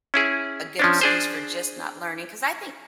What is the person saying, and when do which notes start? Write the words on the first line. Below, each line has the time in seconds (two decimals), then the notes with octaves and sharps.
a good excuse for just not learning. 'Cause I think
0.14 C#4 E4 G#4
0.79 F3 C#4 D4
1.01 D4 G#4 C5